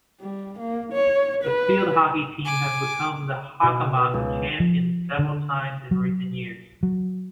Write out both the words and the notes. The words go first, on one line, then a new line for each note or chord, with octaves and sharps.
The field hockey team have been the Hockomock Champions several times in recent years.
G3
A#3
C#5
B4
G#5 D6
B2
B4
C#2
F3
D3
F#3
F#3